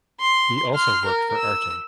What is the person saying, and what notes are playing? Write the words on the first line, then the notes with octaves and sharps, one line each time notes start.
He also worked for Arte.
C6
C6 F6
A#4
E6